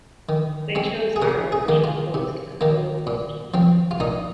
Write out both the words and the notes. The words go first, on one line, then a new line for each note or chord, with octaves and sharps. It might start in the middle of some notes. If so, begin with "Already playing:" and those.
They chose Arrow, which proposed a -tall coaster.
D#3
G#3 C4
G#4
C3 A#4
G#4
D#3 A#3
F4
C3
D#3 A#3
A#2
F3 C4
F4
A#2 D#4